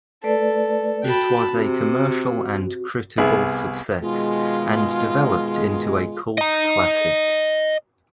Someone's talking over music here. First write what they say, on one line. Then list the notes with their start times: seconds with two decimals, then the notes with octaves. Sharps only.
It was a commercial and critical success and developed into a cult classic.
0.24 A3 A4 B4 D5
1.04 F#4 G5 A5 B5
1.53 C3
3.18 C2 B3 G#4 E5 B5
4.02 B2 D#3 G#3 F4
6.38 D#5 A#5